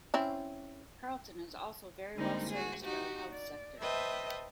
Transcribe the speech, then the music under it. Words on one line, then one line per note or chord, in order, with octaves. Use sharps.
Carlton is also very well serviced by the health sector.
C4 C#4 E4
D3 G3 G#3 A#3 C4 D#4
F#4 G#4
D#4 F#4 G4
D5
B4 C5 D#5 E5 G5 A5